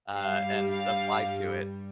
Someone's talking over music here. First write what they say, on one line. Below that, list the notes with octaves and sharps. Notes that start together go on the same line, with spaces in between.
uh, and applied to it.
G2 G3 F5
F5